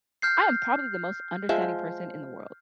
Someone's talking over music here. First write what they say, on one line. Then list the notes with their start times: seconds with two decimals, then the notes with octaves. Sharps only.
I am probably the most understanding person in the world.
0.22 F6 G6 C7
1.49 F3 G#3 E5